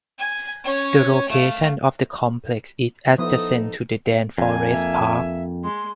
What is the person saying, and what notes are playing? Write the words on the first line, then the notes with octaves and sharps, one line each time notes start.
The location of the complex is adjacent to the Daan Forest Park.
G#5
C#4 C#5
A3 F5
F3 B3 D#4 E4 A4 D#6
F2 A#3 G#5
E5
G#3 C6